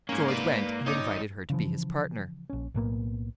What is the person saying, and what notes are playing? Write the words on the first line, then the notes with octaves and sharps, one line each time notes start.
George went and invited her to be his partner.
G#2 A#3 C#4 A#5
B4 D5
G#1 D#4 C#5 D6
C#3 E3 F3
A#1 C#4
B1 A2 A#3 B3